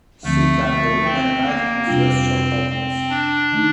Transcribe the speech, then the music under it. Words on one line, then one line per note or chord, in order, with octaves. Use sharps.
Sita and Alim are united in celestial happiness.
D2 D3 F3 A3 C4
A3
C4
A#3
F2 C3 G3 C4 D4 F4
C4
D4
D#3 A3 D#4